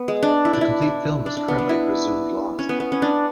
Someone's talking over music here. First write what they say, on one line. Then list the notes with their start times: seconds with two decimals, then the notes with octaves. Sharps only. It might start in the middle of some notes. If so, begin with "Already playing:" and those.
The complete film is currently presumed lost.
Already playing: B3
0.08 G#3
0.23 D4
0.45 E4
0.53 D4
0.61 E4
0.82 E4
1.26 D4
1.37 D4
1.48 B3
1.58 D4
1.69 E4
2.59 C#4
2.69 B3
2.80 B3
2.92 C#4
3.02 D4